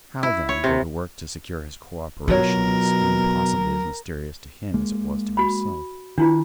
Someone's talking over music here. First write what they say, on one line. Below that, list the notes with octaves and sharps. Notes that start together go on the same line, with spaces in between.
How, then, go to work to secure his cooperation in a scheme possibly as mysterious to him as it was to himself?
E4
C#5
C3
B2 F#3 F4 F#4 A#4 C#5
G#3 A#3
F#4 B5
D#3 D4 E4 F4